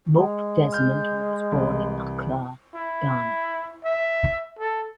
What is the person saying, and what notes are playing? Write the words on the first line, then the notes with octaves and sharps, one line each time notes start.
Mope Desmond, who was born in Accra, Ghana.
G#3
F6 G6
C2 E3
E4
E5
A4